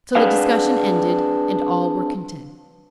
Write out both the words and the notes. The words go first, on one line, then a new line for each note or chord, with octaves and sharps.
So the discussion ended, and all were content.
C4 D4 G#4 B4 F5 F#5